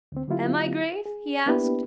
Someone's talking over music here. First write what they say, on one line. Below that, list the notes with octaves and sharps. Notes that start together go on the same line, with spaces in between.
"Am I grave?" he asked.
D2 D3 C4
D3 F#3 A#3 E4 F4 G4
G#4
A#3 B3 D4 E4 G4 B4